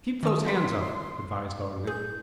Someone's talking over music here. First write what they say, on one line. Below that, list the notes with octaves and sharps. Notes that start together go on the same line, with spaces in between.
"Keep those hands up!" advised Ogden.
D#3 C#4 D#6 E6
D#4 F4 B4 C6
G#4 G6